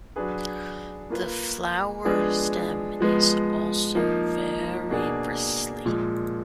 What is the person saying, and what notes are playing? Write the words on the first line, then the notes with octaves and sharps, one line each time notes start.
The flower stem is also very bristly.
F#3 D4 G#4 B4
A#3 F4 B4
F3 G#3 B3 D4 G#4
F3 G#3 B3
F3 A#3 D#4
B2 A#3 D4 G#4
A#2 F3 G#3